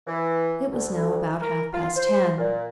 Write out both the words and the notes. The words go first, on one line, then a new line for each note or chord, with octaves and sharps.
It was now about half-past ten.
E3
D2
A#4
F4
C5
A#2